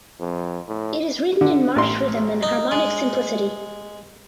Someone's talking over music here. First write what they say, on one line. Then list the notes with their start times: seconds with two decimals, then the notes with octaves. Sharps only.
It is written in march rhythm and harmonic simplicity.
0.20 F2
0.67 A2
1.41 D3
1.76 A1 C6
2.43 D#4
2.72 G#3